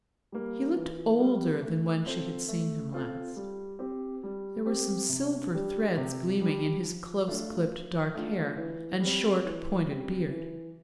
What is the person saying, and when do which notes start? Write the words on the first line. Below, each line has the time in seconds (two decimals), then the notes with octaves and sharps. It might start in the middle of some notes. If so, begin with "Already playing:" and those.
He looked older than when she had seen him last--there were some silver threads gleaming in his close-clipped dark hair and short, pointed beard.
0.32 G3 A#3
0.76 E3
1.19 G3 A#3
1.62 A3
2.06 C4 F4 A4 C5
2.48 A3
2.93 C4 F4 A4 C5
3.36 G3
3.79 C4 G4 C5
4.23 G3
4.66 C4 G4 C5
5.09 C3
5.53 G3 D4 G4
5.97 C3
6.41 G3 D4 G4
6.83 F3
7.27 A3 D4 F4
7.71 F3
8.14 A3 D4 F4
8.57 E3
9.00 G3 C4
9.44 E3
9.88 G3 C4
10.31 E3